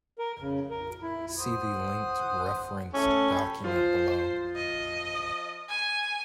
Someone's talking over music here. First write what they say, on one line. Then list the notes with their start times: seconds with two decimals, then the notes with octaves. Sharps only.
See the linked referenced document below.
0.19 A#4
0.40 C#3
0.70 A#4
1.02 E4
1.38 C5 F#5 D#6
2.94 A3 C#4 E4 A4
3.30 A4 G5 B5
3.64 F3 F4 C5
4.55 D#5
5.69 G#5